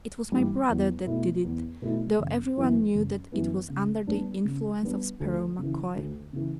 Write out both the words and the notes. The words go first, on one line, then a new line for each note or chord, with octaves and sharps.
It was my brother that did it, though everyone knew that it was under the influence of Sparrow MacCoy.
G2 E3 G3
E2
B2 A3 E4
E2
B2 A3 E4
F#1
F#2 E3 B3
F#1
F#2 E3 B3
C#3
G3 B3 D4
C#3
G3 B3 D4
D2
C#3 E3
D2
C#3 E3